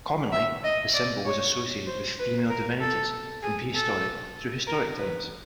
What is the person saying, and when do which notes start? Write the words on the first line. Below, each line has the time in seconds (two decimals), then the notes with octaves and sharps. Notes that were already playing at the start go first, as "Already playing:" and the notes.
Commonly, the symbol was associated with female divinities, from prehistoric through historic times.
0.32 E5
0.64 D#5
0.94 D5
1.26 C#5
1.87 C5
2.19 B4
2.49 A#4
2.80 A4
3.42 G#4
3.74 A4
4.67 A#4
4.98 B4